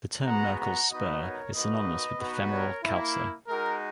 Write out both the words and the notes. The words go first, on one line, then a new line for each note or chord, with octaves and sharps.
The term "Merkel's spur" is synonymous with the femoral calcar.
G#3 B3 F#4 F#5 A#5
F#5 A#5
B3 D#4 F#4 B4 D#5
A#4 C#5
A#3 D#4 F#4 B4 D#5
B3 D#4 F#4
A#4 C#5
A#3 E4
G#3 D#4 F#4 A#4